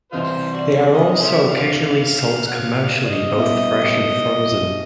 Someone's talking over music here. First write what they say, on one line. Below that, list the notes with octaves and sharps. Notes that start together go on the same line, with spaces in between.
They are also occasionally sold commercially both fresh and frozen.
C2 C3 E3 D#4 F4 C5
F#4 D5
D#5
D#5
C5 E5
D5 F5
F#5
F5
D5 F5
D5
D#5
B2 G3 B3 E4